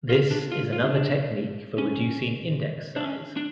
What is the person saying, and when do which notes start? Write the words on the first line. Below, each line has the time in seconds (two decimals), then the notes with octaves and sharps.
This is another technique for reducing index size.
0.10 F4
0.31 D4
0.52 F4
0.72 F4
0.83 D4
1.78 C#4
2.96 D4
3.05 C#4
3.37 D4